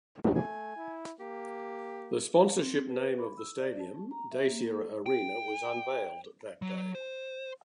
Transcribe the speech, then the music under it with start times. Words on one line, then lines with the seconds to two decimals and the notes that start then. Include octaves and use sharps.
The sponsorship name of the stadium, Dacia Arena, was unveiled that day.
0.36 A3 G#5
0.76 E4
1.20 A#3 G4
2.60 C4
2.89 B4
3.18 B5
3.38 E6
3.60 D5
3.79 A5
4.11 A#5
4.31 E5
4.47 A#3
4.72 A4
5.06 G5
6.62 F#3
6.95 C5